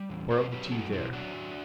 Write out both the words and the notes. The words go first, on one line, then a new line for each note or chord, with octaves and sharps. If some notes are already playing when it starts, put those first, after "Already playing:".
Pour out the tea there.
Already playing: G3
E2
B2 A4 C5
F#3 G4 B4
F#3 F#4 A4
B2 E4 G4
F#3 D4 F#4
F#3